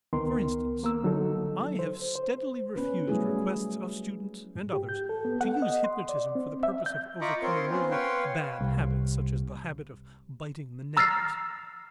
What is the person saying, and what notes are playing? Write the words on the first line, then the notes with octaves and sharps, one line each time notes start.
For instance, I have steadily refused requests of students and others to use hypnotism for the purpose of overcoming merely bad habits, such as the habit of biting the nails.
C#2 D#3 B3 A#4 C6
A#3 A#4 E6
D3 F#3 D#4 A4
C5
C5
B3 C#4 B4
F#3 G3 A3 C#4 E4 G#4
G#2
G4
G6
A4
B3
F#5
D#5
C6
D5
C4
E5
G6
F4 D#5 A#5 B5 C#6 D6
C4 F4 A#4 C5 C#5 C6
B3 C#4 C5
B4 C#5 F5 G5 C6
C2
A#5 E6 F6 A6 A#6 C7